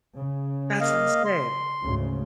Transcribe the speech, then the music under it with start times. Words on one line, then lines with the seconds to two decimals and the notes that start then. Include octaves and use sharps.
That's insane.
0.16 C#3
0.81 A#3 D#5 F5
1.25 C6
1.81 D2 G#2 C#3